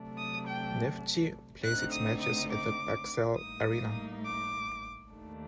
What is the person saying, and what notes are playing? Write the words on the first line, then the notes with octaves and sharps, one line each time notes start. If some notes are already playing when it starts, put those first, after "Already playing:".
Neftchi plays its matches at the Bakcell Arena.
Already playing: C3 F#3 A3 D4
D#6
G5
D3 A3 C4 D#4 F#6
D#6
D#6
D6
A2 G3 A#3 D#4 D#6
D6
D#2 D#3 A3 D4